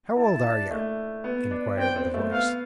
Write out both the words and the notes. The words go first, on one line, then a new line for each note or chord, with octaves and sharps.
'How old are yer?' inquired the voice.
E4 A5
D4
A3
B3
D4
C4 G5
C4
A3
B3 F5